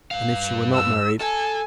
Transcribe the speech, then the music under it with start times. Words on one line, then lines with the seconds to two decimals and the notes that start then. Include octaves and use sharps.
"And if she were not married?"
0.11 G2 F5
0.74 E6
1.21 A4 G#5